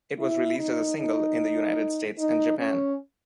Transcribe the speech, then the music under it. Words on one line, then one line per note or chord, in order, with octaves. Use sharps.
It was released as a single in the United States and Japan.
E4
D#4
D#4
D#4
C#4